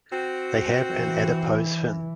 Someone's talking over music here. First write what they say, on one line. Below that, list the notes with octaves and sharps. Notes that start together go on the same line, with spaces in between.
They have an adipose fin.
C4 F#4
E3